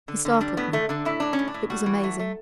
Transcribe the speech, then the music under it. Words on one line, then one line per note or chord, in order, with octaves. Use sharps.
He startled me. It was amazing.
D3
D3
G3 D4
A2 B3
D3 A3
D3 D4
A2 E4
A2 D4
C#4
A2
D4
A2
G3 F#4
E3
A3
A3